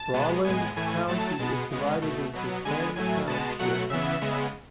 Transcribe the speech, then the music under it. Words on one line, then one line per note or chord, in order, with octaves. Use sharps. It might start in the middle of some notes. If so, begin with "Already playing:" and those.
Rawlins County is divided into ten townships.
Already playing: A5
B2 G#3 B3
A2 G#3 B3 G#5
A2 E3 A3 G#5
A2 F#3 A3 A5
B2 G#3 B3
C#3 G#3 B3
B2 A3
B2 F#3 B3
D3 G#3 B3 G#5
A2 F#3 A3 G#5
B2 G#3 B3 A5
B2 F#3 A3 F#5
C#3 E3 B3 E5
C#3 G#3 B3